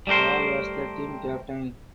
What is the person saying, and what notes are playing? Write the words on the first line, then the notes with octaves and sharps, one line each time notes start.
Ball was the team captain.
G3 A3 G4 A#4 C5